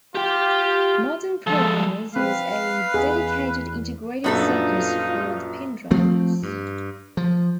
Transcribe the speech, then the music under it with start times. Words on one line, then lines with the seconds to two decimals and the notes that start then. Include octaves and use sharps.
Modern programmers use a dedicated integrated circuit for the pin drivers.
0.15 F4 G4 G5
1.47 F3 G#3 A4
2.16 C4 B4 F5
2.94 E2 G#4
4.24 A#1 F#2 B3 D4 D#4 F4 A4
5.91 F3 A3 C4
6.43 G2
7.17 F3